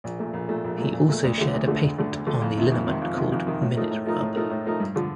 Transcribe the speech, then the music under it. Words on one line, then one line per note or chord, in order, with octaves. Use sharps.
He also shared a patent on a liniment called Minute-Rub.
A#1
A#2 A3
A#1
A#2 A3
A#1
A#2 A3
A#1
A#2 A3
D2
D3 A3
D2
D3 A3
D2
D3 A3
D2
D3 A3
F2
C3 D#3
F2
C3 D#3
F2
C3 D#3
F2
C3 D#3
A2
F3 A3 D#4 A#4
A2
F3 A3 D#4 A#4
A2
F3 A3 D#4 A#4
A2
F3 A3 D#4 A#4
G2
D3 F3